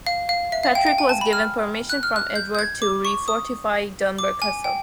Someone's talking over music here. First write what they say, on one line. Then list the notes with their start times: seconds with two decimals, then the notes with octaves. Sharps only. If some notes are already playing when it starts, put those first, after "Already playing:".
Patrick was given permission from Edward to refortify Dunbar Castle.
0.07 F5
0.29 F5
0.52 E5
0.63 F5
0.75 G5
0.87 G5
0.98 G#5
1.09 A5
1.21 B5
1.33 F6
1.90 F#6
2.03 F6
2.16 F#6
2.36 G6
2.55 G6
2.59 G#6
2.82 D6
3.05 C#6
3.28 D#6
4.19 D6
4.42 G#5
4.64 G5